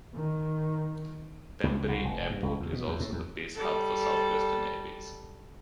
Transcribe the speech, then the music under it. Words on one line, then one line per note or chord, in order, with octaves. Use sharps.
Pembrey Airport is also the base hub for South Western Airways.
D#3
C#2
C2
F1
G2
C#2
E2
B2
E2
A2
E2
G3 A4